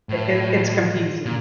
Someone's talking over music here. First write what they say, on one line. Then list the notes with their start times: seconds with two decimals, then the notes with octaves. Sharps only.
it it it's confusing.
0.09 A2
1.26 A#2